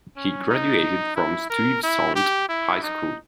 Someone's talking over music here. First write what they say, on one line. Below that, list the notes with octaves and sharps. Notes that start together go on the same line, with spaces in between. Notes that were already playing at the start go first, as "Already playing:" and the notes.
He graduated from Stuyvesant High School.
C#4
D#4
E4
A#4
E4
G4
E4
D#4